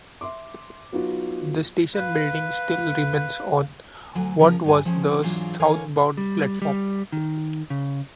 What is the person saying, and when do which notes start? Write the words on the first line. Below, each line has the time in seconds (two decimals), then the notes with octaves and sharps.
The station building still remains on what was the southbound platform.
0.21 E5 C6 D6
0.92 F#3 B3 D#4 F4 F#4
1.95 B4 F5
4.15 D2 F#3 G#5
4.39 C#3 F3 A#4
4.64 G2 G3 G#5
4.85 F3 G#3 C4 C#4
5.22 G#2 E3 F#3 D4 F4 G#4
5.59 D3 E3 A#4 C#5 F5 G#5
6.17 G3
6.62 G3
7.12 D#3
7.70 C#3